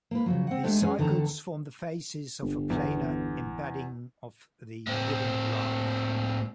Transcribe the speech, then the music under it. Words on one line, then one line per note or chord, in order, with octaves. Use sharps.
These cycles form the faces of a planar embedding of the given graph.
A#3 B4
C#3 F3 F#3
C4 F#5
G#3 A3 D4 G4 D5
C#4 G#4 B4 C#5 D#5 G#5
E2 D3 D#3 A4 A5 A#5
G1
E2
A2 C4